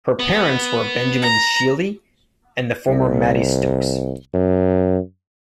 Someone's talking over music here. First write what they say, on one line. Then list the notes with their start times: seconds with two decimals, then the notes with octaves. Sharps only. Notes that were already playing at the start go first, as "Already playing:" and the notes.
Her parents were Benjamin Shealey and the former Mattie Stokes.
0.19 B3
1.22 A#5
2.88 C2
4.34 F#2